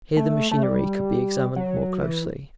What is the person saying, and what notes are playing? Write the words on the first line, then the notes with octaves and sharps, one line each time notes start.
Here the machinery could be examined more closely.
A3
A3
G3
F#3
E3